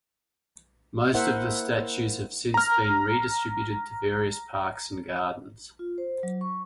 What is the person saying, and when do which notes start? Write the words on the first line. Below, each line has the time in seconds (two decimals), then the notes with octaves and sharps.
Most of the statues have since been redistributed to various parks and gardens.
1.14 A#3 E4 A#4 C5 E5 F#5
2.54 A#5 F6
5.79 F4
5.98 C5
6.23 F#3
6.41 C#6